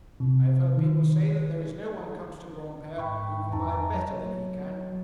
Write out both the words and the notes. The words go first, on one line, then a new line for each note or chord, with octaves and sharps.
I have heard people say that there is no one comes to Granpere who can buy better than he can.'
C3
D#3
G#2 G5 B5 C#6
F2 D#4 A5 A#5
F#3 C#5